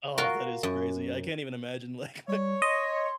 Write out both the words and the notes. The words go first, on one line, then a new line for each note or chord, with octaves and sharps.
Oh, that is crazy. I can't even imagine like,
F4 F#4 A#4
F#2
G3 C#5
D#5 C6